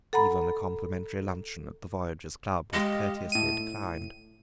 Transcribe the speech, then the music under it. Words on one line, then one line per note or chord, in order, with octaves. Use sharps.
Even a complimentary luncheon at the Voyagers’ Club was courteously declined.
A4 F#5 A#5 B5
G#3 G4 D#5 F5
A2 D#7